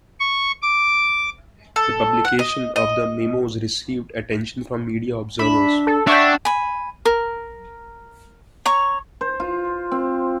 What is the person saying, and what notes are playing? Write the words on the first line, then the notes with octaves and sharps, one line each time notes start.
The publication of the memos received attention from media observers.
C#6
D6
A4
F#5
D#5
D#5
D4 E5 B5
A4
D4 F#4 C#5 E5 G5
G#5 B5
A#4
C#5 A#5 C#6
C5
F4
C4